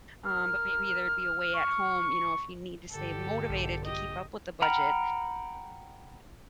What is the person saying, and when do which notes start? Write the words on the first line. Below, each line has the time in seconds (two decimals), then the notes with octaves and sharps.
um, but maybe there'd be a way at home, you know, if you need to stay motivated to keep up with the budget,
0.25 A#4 F6
1.55 C#6
2.91 G2 D3 G4 A4
3.49 A#1
3.84 G4 D#5
4.62 F#5 G5 A#5 B5 F6